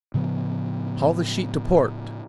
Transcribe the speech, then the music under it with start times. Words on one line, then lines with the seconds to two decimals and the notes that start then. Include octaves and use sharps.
"Haul the sheet to port!"
0.14 A2 C#3 F3 B3